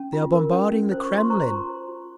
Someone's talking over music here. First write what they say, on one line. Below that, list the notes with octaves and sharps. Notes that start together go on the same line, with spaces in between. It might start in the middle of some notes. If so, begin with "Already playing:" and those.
"They are bombarding the Kremlin!"
Already playing: C#4
F4
A#4
C#4
C#4
C5
C#6
F4
C6
C5 A#5 C#6
F4
C5
F4